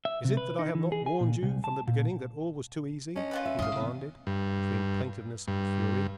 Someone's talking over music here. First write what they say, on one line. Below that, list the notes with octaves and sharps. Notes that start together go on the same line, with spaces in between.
"Is it that I have not warned you from the beginning that all was too easy?" he demanded between plaintiveness and fury.
E5
C3
B4
D#4
E3
G#4
G#5
A#2
C2
A5
A#2
C#4 D4 D#5
F4 F#4 B4
E5
A1 G2 D#5 F5
C3 E3 B3
G2
G2